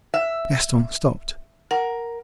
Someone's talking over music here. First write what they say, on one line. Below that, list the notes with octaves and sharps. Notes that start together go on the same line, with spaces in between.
Gaston stopped.
E5
A#4 F#5